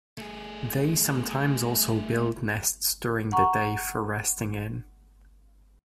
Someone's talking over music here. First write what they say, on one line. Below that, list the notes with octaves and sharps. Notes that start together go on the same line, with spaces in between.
They sometimes also build nests during the day for resting in.
A3 G#4
F#5 A#5 C#6